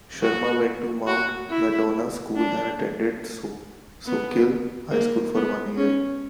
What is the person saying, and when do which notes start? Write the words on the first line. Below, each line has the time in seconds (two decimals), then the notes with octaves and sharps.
Sharma went to Mount Madonna school and attended Soquel High School for one year.
0.22 F#4
1.07 F#4
1.50 E4
2.36 D4
4.06 B3
4.91 A#3
5.35 B3
5.77 C#4